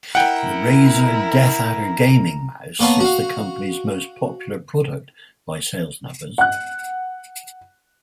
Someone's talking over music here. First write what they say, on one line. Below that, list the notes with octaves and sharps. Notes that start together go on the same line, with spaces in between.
The Razer DeathAdder gaming mouse is the company's most popular product by sales numbers.
E4 A#4 F#5 G5 A#5
A#3 B3 C#5 F5 A5
F#4 F5
F#5 F#6